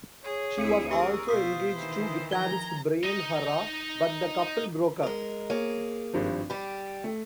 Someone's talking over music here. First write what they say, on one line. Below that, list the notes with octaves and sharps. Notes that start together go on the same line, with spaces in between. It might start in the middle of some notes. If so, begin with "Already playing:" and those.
She was also engaged to guitarist Brian Harrah, but the couple broke up.
G#4 C#5
D2 C4 E4 C#7 D#7
G4 G#4 A#4 C#6 E6
B2 F4 C5 D#6 B6
D#3 E3
F3 A#5 G#6 G7
D#4 D#5
G#3 A#4
A#3 G#4 C#5
G#1 G2 F3
G3 G4 B5
A3